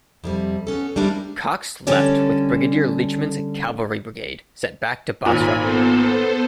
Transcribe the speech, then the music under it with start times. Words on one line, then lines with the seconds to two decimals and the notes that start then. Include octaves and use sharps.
Cox left with Brigadier Leachman's cavalry brigade sent back to Basra.
0.24 F2 C3 G3
0.67 B3 C#4 A4
0.96 G3 G#3 C4 D4 E4 A#4
1.87 D3 G3 C#4 A4 D5
5.26 G#1 A#2 G#5 B5
5.59 B3 A4 C5